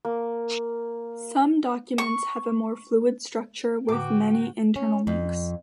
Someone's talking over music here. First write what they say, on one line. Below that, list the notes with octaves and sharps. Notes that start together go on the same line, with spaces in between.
Some documents have a more fluid structure with many internal links.
A#3
C#6
A2 D3 F#4 G5 D6
C#4
F2